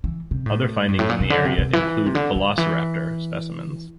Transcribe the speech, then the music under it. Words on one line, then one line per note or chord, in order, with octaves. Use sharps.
Other findings in the area include “Velociraptor” specimens.
E3
C3
A2
G2
A2
A#2
C3
D3
C3
C3
E3
C3
D3
D3
E3